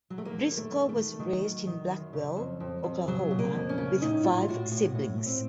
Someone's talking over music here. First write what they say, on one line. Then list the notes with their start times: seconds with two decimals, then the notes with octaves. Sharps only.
Brisco was raised in Blackwell, Oklahoma with five siblings.
0.10 F#3
0.18 A3
0.25 D#3 A#3
0.49 F#2
0.57 A3
0.72 D#3
0.89 A3
0.96 D#3
1.19 D#3 F#3
1.43 D#3
1.67 D#3
1.90 F#2
2.13 C#3
2.37 F2
2.60 F2
2.84 F2
3.07 C#3 F#3
3.31 C#3
3.39 A#3
3.55 F2
3.69 C#4
3.78 C#3
4.01 A2 D#4
4.24 A2 F4
4.48 A2 F#4
4.71 A2 F#4
4.95 A2
5.18 A2
5.26 C4